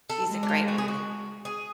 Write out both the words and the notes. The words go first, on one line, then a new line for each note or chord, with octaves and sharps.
She's a great woman.
A4
G#3
D4
F4
F#4
G#4
F#4
G#4